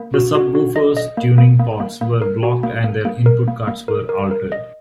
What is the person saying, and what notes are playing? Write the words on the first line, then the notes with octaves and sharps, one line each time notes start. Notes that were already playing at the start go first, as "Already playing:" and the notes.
The subwoofers' tuning ports were blocked and their input cards were altered.
Already playing: A#3
F#4
F#4
F#4
D#5
D#5
A#3
A#3
A#3
A#3
A#3
A#4
F#4
A#3
A#3
A#3
A#4
A#3
A#3
A#4
A#4
A#4
D#5